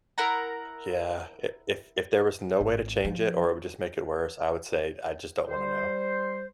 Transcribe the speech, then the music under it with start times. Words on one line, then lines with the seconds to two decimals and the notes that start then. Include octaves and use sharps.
Yeah, i if if there was no way to change it, or it would just make it worse, I would say, "I just don't wanna know."
0.18 E4 A#4 F#5 A#5
2.61 G#1
3.05 F3
5.49 G3 C5